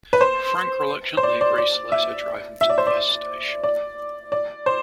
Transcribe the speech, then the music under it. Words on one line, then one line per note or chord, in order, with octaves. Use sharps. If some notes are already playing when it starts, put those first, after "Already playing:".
Frank reluctantly agrees to let her drive him to the bus station.
B4
C5
C5
D5
D5
D5
E5
E5
D5
C5
D5
D5
D5
C5